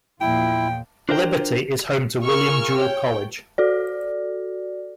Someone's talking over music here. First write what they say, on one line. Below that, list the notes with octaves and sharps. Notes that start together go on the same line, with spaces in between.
Liberty is home to William Jewell College.
E2 A#2 F3 E4 G5
D4 F4 A#4 C5 E5 G5
F4 G#4 A#4 C#6 E6 F6
C#5 G5
F#4 A4 D5